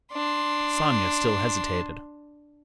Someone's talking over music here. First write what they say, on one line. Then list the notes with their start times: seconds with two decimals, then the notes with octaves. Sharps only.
Sonia still hesitated.
0.13 D4 C6